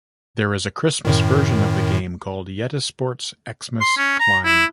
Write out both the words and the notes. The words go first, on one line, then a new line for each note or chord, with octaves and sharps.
There is a Christmas version of the game called Yetisports Xmas Climb.
F#2 A2 D#3
C6
C#4
A#5
E4